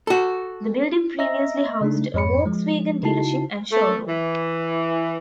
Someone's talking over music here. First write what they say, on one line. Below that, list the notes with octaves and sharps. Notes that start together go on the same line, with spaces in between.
The building previously housed a Volkswagen dealership and showroom.
F#4 A4
D#5 E5 A#5 E6 A#6
C#3 A3 D4 D#4
F2 G#2 C#5 B5 C#7
F3 G#3
C#3 D#4 E4 F#4 A5 C7
A3
E3